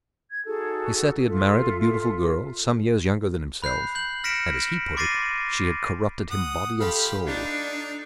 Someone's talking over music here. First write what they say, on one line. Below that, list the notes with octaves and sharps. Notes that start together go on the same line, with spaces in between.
He said he had married a beautiful girl, some years younger than himself, and, as he put it, she had corrupted him body and soul.
G#6
D#4 F#4 G#4 A4
F4 A4 E5
B5 F#6 G6 C7
G6 F#7
F6 A#6 B6 C#7 D7 E7
C6 D6 A6 A#6 C7 D#7
F#5 D#6
F4 G4 A4 F5 B5
D4 D#4